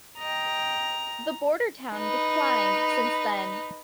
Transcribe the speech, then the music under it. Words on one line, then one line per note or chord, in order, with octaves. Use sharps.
The border town declined since then.
D#5 G5 A#5
D#4 B4